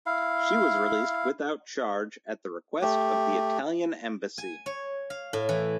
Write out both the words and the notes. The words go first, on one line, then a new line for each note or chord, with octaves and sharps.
She was released without charge at the request of the Italian embassy.
E4 F5
A3 G4
G#5
C#5
F5
A2
E3